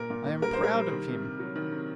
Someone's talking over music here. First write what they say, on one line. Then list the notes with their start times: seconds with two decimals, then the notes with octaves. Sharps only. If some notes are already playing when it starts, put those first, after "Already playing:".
I am proud of him.
Already playing: A#2 A#4
0.10 A#2
0.26 A#2
0.42 G3 A#4
0.53 C5
0.59 A#2
0.64 A#4
0.74 G3
0.91 D#3
1.07 C3
1.23 C3
1.39 F#3
1.55 D#3
1.72 C3